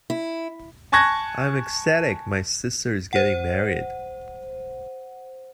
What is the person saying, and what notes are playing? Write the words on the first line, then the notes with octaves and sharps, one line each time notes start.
I am ecstatic my sister is getting married!.
E4
G#5 A5 C#6 F#6 G#6 A#6
C5 F#5